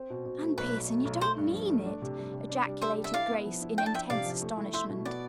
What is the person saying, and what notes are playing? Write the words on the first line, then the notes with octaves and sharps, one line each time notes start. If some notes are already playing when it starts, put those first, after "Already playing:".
"Anne Pierson, you don't mean it," ejaculated Grace in intense astonishment.
Already playing: C4
B2
B2
A3
B1 B4
B2
A3
B1
A3 C5
G2
F3
A3
D4
C3
G3
C3
D4
G3
A4 C5 E5
G3
E5
E4 D5 F5
B3
F3
E4
D4 G5
A5
F3 E5 G5
C3 D5 F5
F3
A3
E4
E4 C5 E5
B2
B3 D5